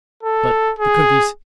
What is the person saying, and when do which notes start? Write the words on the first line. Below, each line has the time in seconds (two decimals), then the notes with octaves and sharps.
But the cookies!
0.23 A4
0.79 G#4